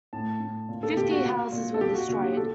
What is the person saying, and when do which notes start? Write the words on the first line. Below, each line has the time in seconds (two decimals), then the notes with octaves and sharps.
Fifty houses were destroyed.
0.13 A2 A5
0.40 A2
0.69 A#2
0.83 A4
0.96 A#2 G4
1.11 F#4
1.25 A#2
1.53 A#2
1.74 A4
1.81 A#2 G4
1.95 F#4
2.08 A#2 F#4
2.22 G4
2.33 G4
2.37 A#2 A4